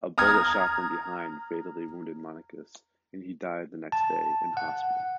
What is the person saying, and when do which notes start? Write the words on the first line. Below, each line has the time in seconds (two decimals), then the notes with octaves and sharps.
A bullet shot from behind fatally wounded Männikus and he died the next day in hospital.
0.18 A#5 D#6 F6 G#6
3.92 A5
4.57 F#5